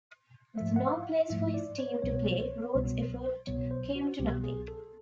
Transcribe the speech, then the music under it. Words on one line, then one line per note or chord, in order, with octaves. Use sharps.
With no place for his team to play, Rhodes' effort came to nothing.
G#2 F3 A3 E5
F#5
E5
F5
E5
G#2 F3 A3 E5
D5
C#5
C2 B2 F#3 B3 C#5
C2 B2 F#3 B3
C2 B2 F#3 B3 C#5
C5
F#4
C2 B2 F#3 B3 G4
G#4
A4